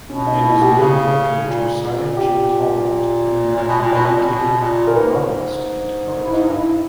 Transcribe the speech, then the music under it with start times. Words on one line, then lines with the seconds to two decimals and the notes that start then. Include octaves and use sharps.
It is named after Josiah G. Holland, an American educator, novelist and poet.
0.10 B2 C#4
0.27 D#4
0.45 E4
0.62 G4
0.78 C#3 G#4
1.48 A#2
2.17 G4
3.56 A#2
3.68 B2
3.81 A#2
3.93 B2
4.06 A#2
4.25 B2
4.60 A#2
4.87 A#4
4.94 G#2 B4
6.24 E4
6.33 G#2 D#4
6.45 G2
6.56 E4